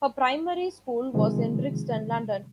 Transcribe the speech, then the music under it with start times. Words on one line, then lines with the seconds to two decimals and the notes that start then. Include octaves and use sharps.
Her primary school was in Brixton, London.
1.14 C3 D#3 F3 G#3